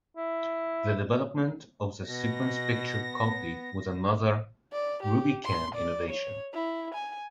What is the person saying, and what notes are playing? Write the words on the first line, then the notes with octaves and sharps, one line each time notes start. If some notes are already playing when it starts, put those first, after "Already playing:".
The development of the "sequence-picture copy" was another Rubicam innovation.
E4
B2 B3 A#6
D5
G4
C6
D5
C#5
E4
G#5